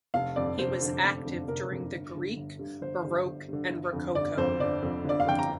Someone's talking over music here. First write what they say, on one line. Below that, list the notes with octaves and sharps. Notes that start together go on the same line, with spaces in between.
He was active during the Greek Baroque and Rococo.
F1 F5
F2 D3 D5
F1 C5
F2 D3
F1
F2 D3
F1 A#4
F2 D3
G1
G2 D3
G1
G2 D3
G1 C5
G2 D3
G1
G2 D3
G1
F2 D3
G1 D5
F2 D3 C5
G1 D5
F2 D3
G1 D5
F5
F2 D3 G5
A#5